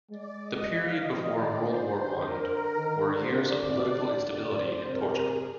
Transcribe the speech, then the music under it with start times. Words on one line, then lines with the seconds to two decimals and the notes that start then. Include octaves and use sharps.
The period before World War One, were years of political instability in Portugal.
0.11 G#3 D5
0.41 D#5
0.70 F3 F5
0.99 F3 D#5
1.29 D#3 D5
1.59 D3 C5
1.88 C5
2.17 D3 A#4
2.77 D#3
3.06 D3 C5
3.36 D5
3.66 C3
3.95 D3
4.25 D5
4.54 C5
4.84 C3 A#4
5.13 G#4